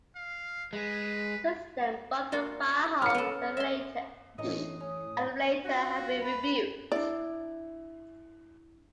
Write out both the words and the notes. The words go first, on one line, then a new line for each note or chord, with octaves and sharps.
Since then both the firehall and elevator have been rebuilt.
F5
G#3 B4
A#3 F4 F#4
C#4 F6 C#7
B3 A4
E5 C6
A2 E3 C#4 D#5 A#5 D#6
C#4
F4 F#4
B4
D4 E4 D5